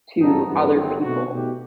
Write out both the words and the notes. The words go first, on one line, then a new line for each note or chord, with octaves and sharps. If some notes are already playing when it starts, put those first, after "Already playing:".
to other people
G2 F#3 C4 D#4 A4
G2 E3 B3
G1 G2 D#3 F#3 C4
B2 A3 C4 F#4
B2 A3 D#4 G4